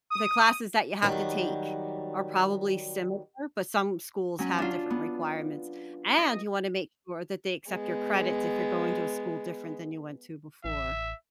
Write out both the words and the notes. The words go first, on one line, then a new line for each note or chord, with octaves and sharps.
the classes that you have to take are probably similar, but some schools have different requirements, and you wanna make sure that they accept your credits if you're going to a school different than you went to before.
D#6
D#3 F#3 G3
F#3 C#4
D4 F4
B3
D#5
G#3 B3
A1 E5